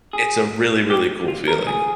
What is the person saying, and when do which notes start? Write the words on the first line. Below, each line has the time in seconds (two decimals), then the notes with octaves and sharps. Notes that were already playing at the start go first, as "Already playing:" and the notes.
it's a really, really cool feeling
0.13 G#4
0.90 G4
1.28 F4
1.48 A#4
1.67 G#4